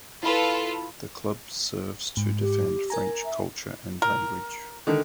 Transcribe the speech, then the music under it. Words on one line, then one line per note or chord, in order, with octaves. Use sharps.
The club serves to defend French culture and language.
E4 F4 A4 B4 B5
G#2
G4
A#4 G#5 A#5
E5
A#4
D3 D#3